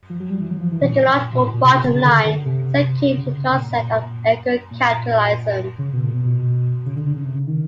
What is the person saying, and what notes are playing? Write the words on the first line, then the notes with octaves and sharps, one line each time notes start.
The ecological bottom line is akin to the concept of eco-capitalism.
F3
F#3
G3
E3
F#3
E3
F3
E3
B2
A#2
B2
A2
A#2
C3
C3
C#3
C#3
D3
D3
C3
C#3
C3
A#2
A#2
A#2
A#2
C#3
B2
A#2
B2
B2
C#3
D3
D3
C#3
C3
C#3
D#3